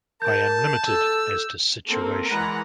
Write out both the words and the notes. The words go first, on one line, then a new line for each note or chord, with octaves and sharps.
I am limited as to situation.
A#4 A5 G6
A4 E6
A#3 C4 A4 A#4
E3 G#3 A#4 B4 F#5 A#5